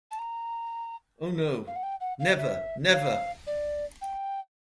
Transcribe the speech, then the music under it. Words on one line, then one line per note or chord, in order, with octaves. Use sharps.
Oh no - never, never!
A5
A#5
F5
F#5
G5
F#5
F5
D#5
E5
F5
D5
G5